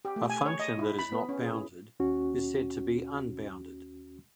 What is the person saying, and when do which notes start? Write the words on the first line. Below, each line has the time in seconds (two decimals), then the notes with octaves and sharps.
A function that is "not" bounded is said to be unbounded.
0.05 G4
0.16 A3
0.30 G#5
0.46 C#5
0.60 D#5
0.79 E4
0.99 B5
1.12 B3
1.29 C#4
1.42 G#4
1.54 E4
2.00 D#2 C#4 F#4